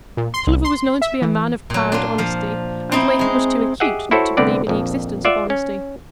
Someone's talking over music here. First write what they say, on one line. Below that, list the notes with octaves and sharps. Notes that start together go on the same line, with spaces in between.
Tulliver was known to be a man of proud honesty, and Wakem was too acute not to believe in the existence of honesty.
A#2
C6
C2
C6
E5
E3
A#2 F#3
D4 F4
F3 F5
C4 D#4 E4
G#3 G#4
G4 G#4 D#5 E5 F#5
E4 F#4 A4 C5 C#5
C2 D3 B3 C4 D5
A#1 F2
F4 D5 E5 F#5
C#4